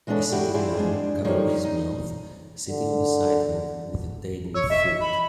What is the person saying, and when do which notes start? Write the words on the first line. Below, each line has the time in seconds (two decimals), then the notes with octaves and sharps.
A sitting man covering his mouth, sitting on the sidewalk with a table of fruit.
0.07 E3 G#3 B3 D4 A4 C#5
0.32 E4 F#4 G4
0.54 E3 D4 E4 F4 G4 G#4
0.78 G#3 D4
1.24 D3 D#3 F3 G3 A#3 C#5
1.65 D#4
2.69 D3
4.54 C#5 E6
4.70 D#5 E5
5.01 B5